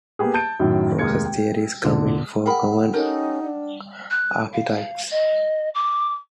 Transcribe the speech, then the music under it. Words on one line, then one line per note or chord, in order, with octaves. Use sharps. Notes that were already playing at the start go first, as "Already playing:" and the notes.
Process theories come in four common archetypes.
A#3 B3 G4 G#4
A5 G6 D7
F#2 A2 D#3 F#3
F1 D#2 G#3 A#3 G#6 C#7
G5
E1 A#2 D3 A4 D5
G#4 A#4 F#5 G5 B5
C#4 D#4 G4 A4 A#4
D4
F#6
F5
D#5
D6